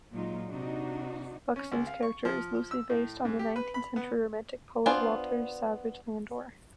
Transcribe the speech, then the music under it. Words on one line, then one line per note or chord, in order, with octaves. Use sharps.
Buxton's character is loosely based on the nineteenth century Romantic poet Walter Savage Landor.
A#2 F#3 G#3 D#4 F4
C3 D4 D#4 F#4
C#4
C#2
F5
C#6
F3
E6
A2
G#2
G4
B4
B5
B3
B3 D4 F4 C5 G#5